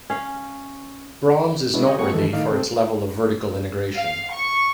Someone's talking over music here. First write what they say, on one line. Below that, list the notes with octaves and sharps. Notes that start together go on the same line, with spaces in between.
Braum's is noteworthy for its level of vertical integration.
C#4 F5
G#3 B3 C#4 D4 E4
C#3 G4 C#5 D#5
F#3 A#3 C4 F#4 G#4 C#6
D#3 E3 G#3 A4
A2 D#3 D#4 D5 F5
C3 C4 A4
F5
C#6